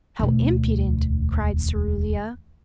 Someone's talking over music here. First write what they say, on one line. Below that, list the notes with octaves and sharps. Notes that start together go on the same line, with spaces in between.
"How impudent!" cried Cerulia.
E1 D2